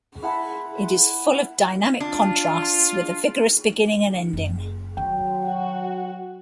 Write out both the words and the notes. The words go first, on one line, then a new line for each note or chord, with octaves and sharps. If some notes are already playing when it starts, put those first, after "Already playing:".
It is full of dynamic contrasts with a vigorous beginning and ending.
E4 F#5 A5 B5
D4 F4
F#1
D#3 F#3 G5
F#4